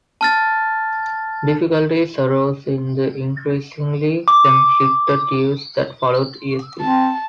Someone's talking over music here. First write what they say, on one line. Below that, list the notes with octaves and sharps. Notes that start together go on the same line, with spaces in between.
Difficulties arose in the increasingly conflicted years that followed, esp.
A5 F6 A6
D6
C4 A5